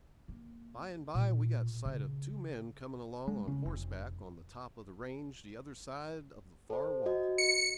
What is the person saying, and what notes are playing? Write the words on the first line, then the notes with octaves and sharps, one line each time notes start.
By and by we got sight of two men coming along on horseback on the top of the range the other side of the far wall.
A#3
A#2
C#3
G#3
C#3
F1
A4 C5
F#4 D#5
C#7